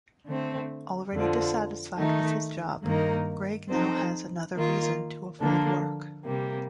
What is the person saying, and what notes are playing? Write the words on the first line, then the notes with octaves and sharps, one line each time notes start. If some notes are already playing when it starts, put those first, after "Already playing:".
Already dissatisfied with his job, Greg now has another reason to avoid work.
D3 A3 C4
F2 D3 F3
D#3 A3 D#4
G2 D#3 A#3 D#4 A#4
F3 C4 D#4 A4 C5
D#3 A#3 F4
D3 F3 A#3 D4 A4
C3 G3 A#3